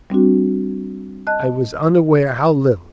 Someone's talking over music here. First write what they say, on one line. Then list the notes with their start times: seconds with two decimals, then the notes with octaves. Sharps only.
I was unaware how little.
0.10 G3 C4 D4 F#4
1.27 D#5 A5 F#6